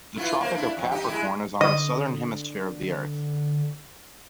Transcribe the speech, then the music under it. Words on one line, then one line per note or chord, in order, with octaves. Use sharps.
The Tropic of Capricorn is on the Southern Hemisphere of the earth.
E4 F4 B4
A#3 C5
D4 E4
F2
D#4 G4
G#3 E4
D3 D#5